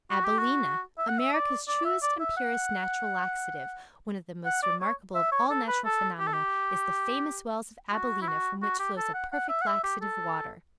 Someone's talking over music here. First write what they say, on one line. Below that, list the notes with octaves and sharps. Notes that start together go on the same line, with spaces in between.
ABILENA America's Truest and Purest Natural Laxative. One of the most remarkable of all natural phenomena is the FAMOUS WELLS OF ABILENA from which flows a perfect laxative water.
F#4
G4
F#4
E5
F#5
E5
D5
D5
E5
D5
E5
F#5
F#5
D5
C#5
E5
C#5
A4
B4
A4
G4
A4
G4
F#4
E4
F#4
F#4
G4
A4
F#5
F#5
E5
F#5
E5
G4
A4